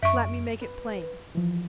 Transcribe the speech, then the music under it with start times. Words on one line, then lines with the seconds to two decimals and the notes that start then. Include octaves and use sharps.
Let me make it plain.
0.03 F#2 E5 C#6 D7
0.61 B4
1.35 E3 F3